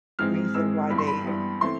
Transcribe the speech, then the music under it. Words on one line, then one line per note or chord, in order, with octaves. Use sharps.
reason why they
G#2 E3 G#3 C4 F6
G#2 E3 G#3 C4 E6
G2 E3 G3 B3 B5
C6
B5
G2 E3 G3 B3
E3 A3 C4 C6